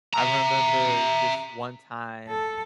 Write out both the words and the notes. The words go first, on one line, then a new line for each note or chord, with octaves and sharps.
I remember just one time,
E5 A#5
A4